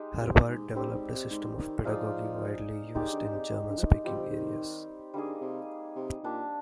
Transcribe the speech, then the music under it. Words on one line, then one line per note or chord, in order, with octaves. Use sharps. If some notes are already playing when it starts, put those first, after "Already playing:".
Herbart developed a system of pedagogy widely used in German-speaking areas.
Already playing: G#3 D#4 G4
C3
G#2
G2 G3 C4 G4
G#2
C3
G#2
D#3
F3 D#4 G#4 D5 F5
D#3 G#3 D#4 G4 D5
D3
C3
G#2
D3
F3
D#3
F3 G3 C4 G4
D#3
D3 G3 A#3 D#4 G#4
C3
C3
A#2 G3 D4 G4